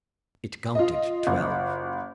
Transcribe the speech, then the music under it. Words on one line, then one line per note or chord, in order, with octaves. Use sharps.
It counted twelve.
F4 D#5
F#1